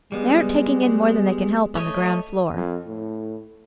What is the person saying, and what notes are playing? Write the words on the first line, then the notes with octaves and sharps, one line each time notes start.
They aren't taking in more than they can help on the ground-floor.'
G3 G#3 B3
A3 C#5 D#5
F2
A2